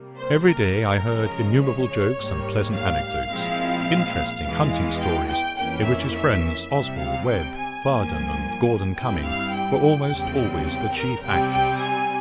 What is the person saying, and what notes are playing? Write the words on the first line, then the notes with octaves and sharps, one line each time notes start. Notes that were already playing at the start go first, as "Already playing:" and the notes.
Every day I heard innumerable jokes and pleasant anecdotes; interesting hunting stories, in which his friends Oswell, Webb, Vardon, and Gorden Cumming were almost always the chief actors.
Already playing: C3 G3 A#3
C5
A#4
C#3 F3 G#3 C#4
C#5
G#2 G3 A#3
F5
A#2 F3 G#3 C4 E4
E2 E3 G#3
G5
G5
F2 E3 A#3 C#4 G5
E5
E5
C3 G3 C4 E5
F5
G5
G#5
G2 F3 A#3
G2 G3 C4 E4 G5
F5
G5
E2 C#3 G3 C4
G5
A#4
C3 G3 C4 G5
G5
G#5